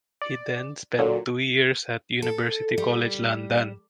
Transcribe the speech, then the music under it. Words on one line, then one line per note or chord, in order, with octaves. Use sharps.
He then spent two years at University College London.
D5
A#2 D3 F#3
A4
G3